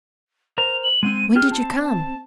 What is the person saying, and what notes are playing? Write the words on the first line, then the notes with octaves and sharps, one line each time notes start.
"When did you come?"
A#4 C5 A#5 F7
F#7
G#3 B3 C4 D#7
F4 G4 G#4 F6
C4 A5
A5